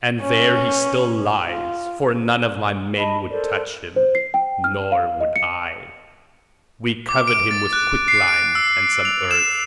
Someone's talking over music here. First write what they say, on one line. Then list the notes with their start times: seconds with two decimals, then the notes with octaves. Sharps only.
And there he still lies for none of my men would touch him, nor would I. We covered him with quicklime and some earth.
0.21 C#4
1.47 F4
2.98 D#5 A5 B5
3.30 A4 A#4 C5 D5
3.96 C5
4.15 C7
4.34 G5
4.64 F6
4.92 F5
5.21 D#5
5.36 C#7
7.09 D6
7.28 D7
7.51 A6
7.73 F#6
8.08 C7
8.28 D7
8.55 E6
9.05 F7
9.31 E7